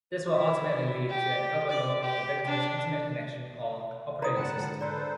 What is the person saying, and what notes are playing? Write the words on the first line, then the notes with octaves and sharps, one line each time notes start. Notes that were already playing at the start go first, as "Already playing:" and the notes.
This will ultimately lead to an overload of the victim's internet connection or operating system.
E4
G4
D5
G4
D4
G#2 E4 B4 A#5 D#6
G#2 D3 F3 F#5 G5 A5 B5
A4 B4 C5 D5 A#5